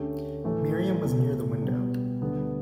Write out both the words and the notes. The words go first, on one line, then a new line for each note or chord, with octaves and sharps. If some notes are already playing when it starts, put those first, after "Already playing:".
Miriam was near the window.
Already playing: D2 D3 A3 C#4 G4
A2 E3 A3
C#2 B2 A3
B2 G3 B3
D2 D3 G3 B3